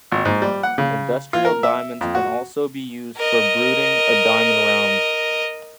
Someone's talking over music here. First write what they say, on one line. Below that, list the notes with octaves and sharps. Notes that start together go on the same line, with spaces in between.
Industrial diamonds can also be used for bruting a diamond round.
G#1
G#2
G3
F#5
C#3
F4
A#4
E5
F2
F#4
A#4 D#5